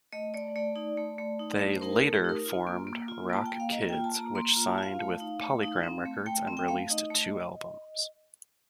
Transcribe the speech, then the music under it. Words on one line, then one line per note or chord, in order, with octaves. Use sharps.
They later formed Rock Kids which signed with Polygram Records and released two albums.
A3 D#5
A3 D5
A3 D5
D#4
A3
A3
D#4
A3
C5
D#4 A#4
A#4
A4
A3
G4
D#4 A#4
F4
A#3
A#3
F4
A#3 A5
G5
A#3
F5
A#3 D#5
F4 G5
A5
A#3 A#5
A#3 C6
A#5
F4
A5
F4 F5
A3
D#4
A3
D#4
C4
A3
A3 G5
C4
G5
A3 F5
D#4 D#5
A3